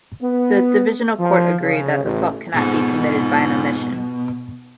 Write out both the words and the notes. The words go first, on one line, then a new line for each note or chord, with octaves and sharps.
The Divisional Court agreed that assault cannot be committed by an omission.
B3
F3
C#3
A1
F2 G#2 B2